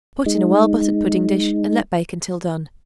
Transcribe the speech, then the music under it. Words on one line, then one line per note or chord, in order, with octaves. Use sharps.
Put in a well-buttered pudding-dish, and let bake until done.
G#3 D#4